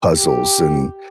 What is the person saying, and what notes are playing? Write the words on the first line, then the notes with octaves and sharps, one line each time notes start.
puzzles and
G4